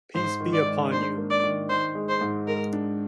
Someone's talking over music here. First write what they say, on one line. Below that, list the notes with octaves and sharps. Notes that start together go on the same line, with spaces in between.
Peace be upon you.
G#2 C5
D#3
D5
D#3
D4 C5
A#3
D5
D#3
D#3 C5
G#3
C5
G#2
G#3 A#4
D4